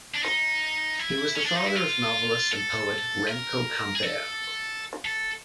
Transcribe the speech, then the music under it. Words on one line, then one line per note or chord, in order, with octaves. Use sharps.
He was the father of novelist and poet Remco Campert.
D4
D#4
E4
C#4
D4
D#4
E4
F4
A4
A#4
G#4
A4
A4